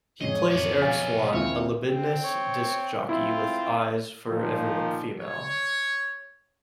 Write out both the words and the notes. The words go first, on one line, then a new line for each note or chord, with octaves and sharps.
He plays Eric Swan, a libidinous disc jockey with eyes for everyone female.
F2 A2 G#3 C#5 D#5 C7 C#7
F2 A2 A3 B3 D5
B2 F5 G#5 A6
D#2 C4 E4 F4 C#5
C4
C#5
C4 E4 F4
A#2 D#3 F3
C#5